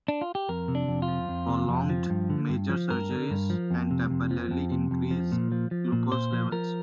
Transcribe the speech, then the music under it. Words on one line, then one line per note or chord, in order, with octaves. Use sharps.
Prolonged, major surgeries can temporarily increase glucose levels.
D4
F4
G4
F2 A#4
C3
D4
F2
F4
F3
F2
C3
F2
F3
G2
D3
G2
F3
G2 A#4
D3
G2
F3
F2
C3
F2
F3
F2
C3
F2
F3
A#2
F3
F3
A#2
A#2 C5
F3
F3 A#4